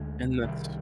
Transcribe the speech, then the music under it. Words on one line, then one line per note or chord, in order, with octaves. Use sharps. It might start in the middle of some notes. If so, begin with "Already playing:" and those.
and that's
Already playing: D2 D3 G#3
C2 C3 D#3 G3